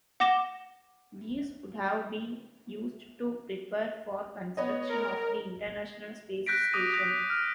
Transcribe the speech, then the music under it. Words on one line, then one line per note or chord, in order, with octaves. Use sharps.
These would have been used to prepare for construction of the International Space Station.
F#5 D6 A#6 E7 G7
B3 C#5 D#5
A#4
F#6 G6 A#6 B6 D7
D6 D#6 A#6 D#7
D#6 G6 A#6
F6